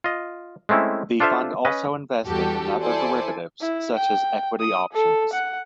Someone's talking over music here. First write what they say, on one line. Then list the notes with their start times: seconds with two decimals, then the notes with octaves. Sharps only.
The fund also invested in other derivatives such as equity options.
0.04 F4 D#5
0.69 G#3 A3 C4 C#4 E4
1.20 D4 F4 A4 C5 E5 F5
1.65 C#4 B4 D#5
2.25 E2 G3 F#4 G4 A4
2.80 E4 A4 C5 D5 G#5 A5
3.61 E4
3.95 G5
4.60 D#6
4.93 A4
5.33 F#5